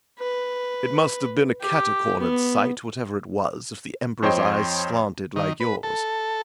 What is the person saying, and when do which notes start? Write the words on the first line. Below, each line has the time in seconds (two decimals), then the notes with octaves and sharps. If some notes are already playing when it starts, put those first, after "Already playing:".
"It must have been a catacornered sight, whatever it was, if the Emperor's eyes slanted like yours."
0.19 B4
1.61 G4
2.20 B3
4.23 F2 C5 C#5 D#5 G5 C6
5.36 D#3
5.60 B4
5.83 A4